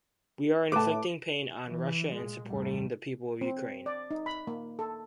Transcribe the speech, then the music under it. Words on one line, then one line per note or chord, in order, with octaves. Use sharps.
We are inflicting pain on Russia and supporting the people of Ukraine.
A2 B4 A5 D6
E3
A#2 G#3
A1 E2 G2 G3 A3
C4
D5
D#4
B5
A#3
A4